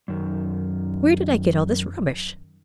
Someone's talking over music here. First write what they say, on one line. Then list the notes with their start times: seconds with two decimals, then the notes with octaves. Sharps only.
Where did I get all this rubbish?
0.08 F#2 D#3